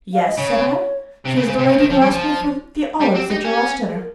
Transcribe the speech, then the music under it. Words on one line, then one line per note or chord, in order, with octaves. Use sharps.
"Yes," said I. "She is the lady who asked me for the olives at your last dinner."
F5
D#5
C#3 C#5
C3 C5
C#3
C#3
C3
C#3
D#3
F3
G3
F3
G3 G4
C4
D#4
C#4
G#4
A#4